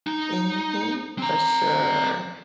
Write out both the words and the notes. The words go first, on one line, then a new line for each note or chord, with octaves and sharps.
Mhm. For sure.
D#4
C4 A#5